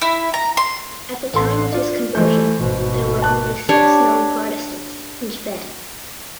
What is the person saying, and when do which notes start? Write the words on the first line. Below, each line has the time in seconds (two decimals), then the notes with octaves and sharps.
At the time of his conversion there were only six known Protestants in Japan.
0.01 E4
0.34 A#5
0.57 C6
1.33 A1 A4 C6
1.72 D4 F4
2.15 E3 A3 C5 G6
2.60 G#1 B2 C5
3.22 A5 F#6
3.69 D4 G4 C#5